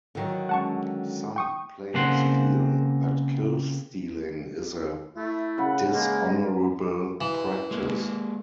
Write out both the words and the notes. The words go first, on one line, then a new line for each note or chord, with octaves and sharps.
Some players feel that kill stealing is a dishonorable practice.
D3 D#3 F#3
G#3 C#4 F#5 A5 C#6
G5 C#6 D#6
C#3 A#3 C4 F#5 C6
A3 E4
C#3 B4 F#5
G#3 A#3
E3
G#3 A#3